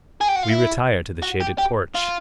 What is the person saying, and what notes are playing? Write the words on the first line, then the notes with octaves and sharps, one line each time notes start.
We retire to the shaded porch.
G#4
G4
F#4
F4
E4
F#4
G4
G4
F4